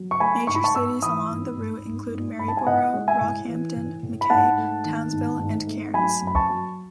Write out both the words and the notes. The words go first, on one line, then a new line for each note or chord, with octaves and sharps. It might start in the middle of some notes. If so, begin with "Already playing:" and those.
Major cities along the route include Maryborough, Rockhampton, Mackay, Townsville, and Cairns.
Already playing: F#3
C#6
A3 G#5 B5
G#2 C#6
B5
A5 C#6
G#2 C#6 E6
E3 B5 D#6
G#2
G#2
G#2
G#2
G#2 B5
A5
G#5
A2 D#5 F#5
G#3
E5 G#5
A2
E3
A2
A2
B5
G#2 F#5 A5
A3
D#3
G#2
G#2
A3
F#3 G#5 B5
F#2
B5
A5 C#6
F#3